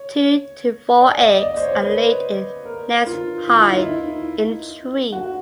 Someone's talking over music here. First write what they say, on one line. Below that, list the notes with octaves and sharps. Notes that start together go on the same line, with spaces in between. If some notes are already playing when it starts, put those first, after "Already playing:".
Two to four eggs are laid in a nest high in a tree.
Already playing: C#5
D5
D#5
D#5
D5
C5
C#5
B4
A#4
F4
F4
E4
D#4
E4
F#4